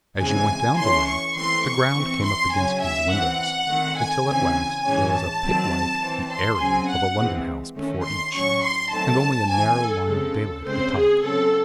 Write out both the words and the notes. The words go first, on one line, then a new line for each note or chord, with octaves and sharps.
As you went down the length, the ground came up against these windows, until at last there was a pit like the "area" of a London house before each, and only a narrow line of daylight at the top.
C#3 E3 G#3 C4 G#5
E3 A3 C#4 C6
C#6
E3 A3 C4 C6
C#6
E3 C4
C6
C#3 F#3 C#4 G#5
E5
E3 C4 F#5
D#3 A3 C4
G#5
C#3 E3 C4 G#5
A2 E3 G#3 C#4 G#5
A5
D#3 F#3 C4
E3 C4
C6
C#3 F#3 C4 G#5
F#5
E3 G#3 C4
D#3 A3 C#4
C6
A2 F#3 C#4 C#6
C6
D#3 F#3 A3 C4 A5
E3 C4 G#5
A4
C#3 G#3 C4 A4
C#3 G#3 C4 C5
G#4
C#3 F#3 C4 A4